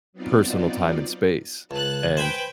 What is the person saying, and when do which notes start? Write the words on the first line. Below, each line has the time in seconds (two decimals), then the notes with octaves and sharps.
personal time and space, and
0.13 F#3 B3 C4 D#4 F4 D5
1.71 C#2 A5 F#6
2.17 B4 C5 G5 G#5 B5